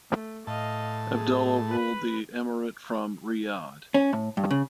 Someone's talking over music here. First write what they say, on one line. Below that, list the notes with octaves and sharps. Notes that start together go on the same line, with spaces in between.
Abdullah ruled the emirate from Riyadh.
A3
A2 D#5 F5 A5
G#4
B4 B5
C#4
A2
G2
C#3